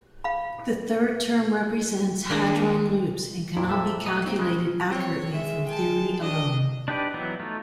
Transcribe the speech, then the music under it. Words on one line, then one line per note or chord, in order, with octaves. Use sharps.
The third term represents hadron loops, and cannot be calculated accurately from theory alone.
F5 B5
D#2 A#3 D4 G#4
F2 A#2 E4
A4 E5 E6
A3 D#5
A#3 C4 D#4
C#3 G#3 A#4
C4 C#5
G#3 E5
G5 A5
D4 D#5
D4 D#4 G4 B4 D5
E3 F#3 B3 D#4
A3 D#4 F4